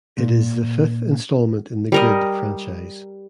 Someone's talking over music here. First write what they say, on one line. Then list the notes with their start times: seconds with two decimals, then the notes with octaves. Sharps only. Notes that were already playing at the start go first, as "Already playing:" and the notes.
It is the fifth installment in the "Grid" franchise.
0.18 A#2
1.92 G3 A#4 D#5